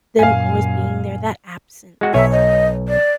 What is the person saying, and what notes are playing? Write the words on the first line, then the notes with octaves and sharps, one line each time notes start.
them always being there, that absence
F#2 A#2 F5 G#5
G#3 F#4
B1 C#5 E5 G#5
D#5
D5